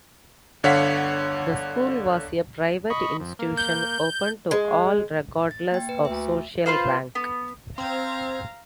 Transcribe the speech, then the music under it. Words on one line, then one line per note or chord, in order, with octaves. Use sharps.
The school was a private institution open to all regardless of social rank.
G1 D3 C#5 F5 F#5 B6
D#5 B5 C#6
F2
A#3
G6
G#3
A6
A#3 G5
B4
D2 E5
F4 B4 C5 F5
B3
C4 F5 A#5 G#6